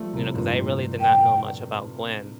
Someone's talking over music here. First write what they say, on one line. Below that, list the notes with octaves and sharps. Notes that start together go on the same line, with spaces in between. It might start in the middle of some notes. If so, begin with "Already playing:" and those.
you know, 'cause I really did not know much about Gwen,
Already playing: F3 G3 A3
A2 C3
G2 A#2
G5